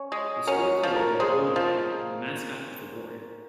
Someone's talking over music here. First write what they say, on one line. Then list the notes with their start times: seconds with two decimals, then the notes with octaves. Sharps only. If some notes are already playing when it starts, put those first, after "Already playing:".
The school colors are blue and white, and the mascot is the Warrior.
Already playing: C#4
0.12 G#3
0.47 C#4 F#4 A#4
0.83 F3
0.95 A#4 C#5
1.20 G#3 G#4 C5
1.56 F3